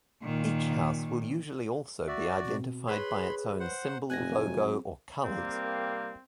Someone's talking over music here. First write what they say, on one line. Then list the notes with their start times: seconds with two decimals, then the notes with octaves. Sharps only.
Each house will usually also be identified by its own symbol, logo, or colours.
0.23 A#2 D#3
2.08 F#4 D5 E5
2.45 B2 C4
2.88 G#4 B4 C#5 B5 C6
3.60 C5 F#5
4.10 F1 C4 G#5 F#6 G#6 A#6
4.46 F#3
5.24 C2 G3 A#3 C4